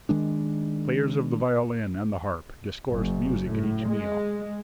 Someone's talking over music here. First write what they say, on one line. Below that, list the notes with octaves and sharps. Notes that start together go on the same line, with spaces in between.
Players of the violin and the harp discoursed music at each meal.
D#3 G#3 D4
F#1
A2
G#3